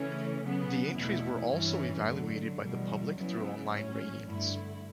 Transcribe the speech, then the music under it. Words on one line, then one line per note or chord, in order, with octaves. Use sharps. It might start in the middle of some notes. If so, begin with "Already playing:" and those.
The entries were also evaluated by the public through online ratings.
Already playing: C#3 E3 A3 C#4
C#3 F#3 B3
E2 B2 A3 E4
G2 E3 G3 C#4
D3 F#3 A3
E2 B2 G3
C#3 F#3 B3 E4
A2 F#3 C#4
G2 D3 A3 E4